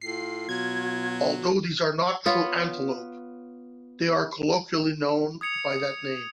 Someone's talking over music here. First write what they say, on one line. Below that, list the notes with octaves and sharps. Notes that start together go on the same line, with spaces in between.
Although these are not true antelope, they are colloquially known by that name.
A2 F4 C7
B2 F#3 G#6
B3 F4 B4 C#5
D#6 G#6 C#7 F7